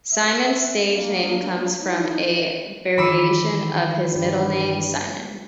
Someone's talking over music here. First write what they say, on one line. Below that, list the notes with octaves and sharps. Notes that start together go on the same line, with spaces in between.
Cymone's stage name comes from a variation of his middle name, Simon.
E5
A#3 D4
D#4 E4
D#3 E3 G#3 B5 D6 E6
G2 G3